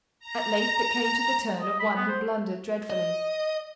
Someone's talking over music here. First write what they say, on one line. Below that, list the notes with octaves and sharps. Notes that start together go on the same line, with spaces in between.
At length it came to the turn of one who blundered dreadfully.
A#5
D#5
B5
B3
C5
D#5